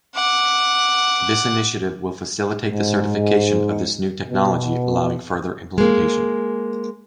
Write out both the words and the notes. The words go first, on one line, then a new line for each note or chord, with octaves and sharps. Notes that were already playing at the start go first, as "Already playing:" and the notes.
This initiative will facilitate the certification of this new technology allowing further implementation.
F#5 D6
G#2
B2
G#3 A#3